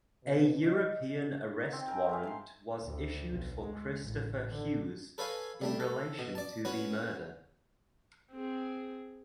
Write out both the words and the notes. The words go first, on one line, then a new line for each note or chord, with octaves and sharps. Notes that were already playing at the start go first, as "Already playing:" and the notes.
A European Arrest Warrant was issued for Christoper Hughes in relation to the murder.
B2
D#5
D#4
C4 G5
A#4 G#5
G#3 E5 F5
F5 A5 C6
D2
B1
G#3
A1
D3
A4 B4 C#5 F5 G#5
G3 A3 D4
A4
B2
D5 A5
C#4 F#4 B4 C#5
C4 G#4